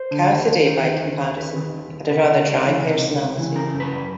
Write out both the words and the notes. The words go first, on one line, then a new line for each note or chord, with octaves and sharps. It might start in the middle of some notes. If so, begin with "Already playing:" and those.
Cassidy, by comparison, had a rather dry personality.
Already playing: C5
D3
D#2
D#2
D#3
D#3
D#2
D#2
D#3 B4
D#3
D#2
D#2
C3 B4
C#2
C#2
E3
C3
C#2
C#2
E3
C#3 A#4
F#2
B4
F#2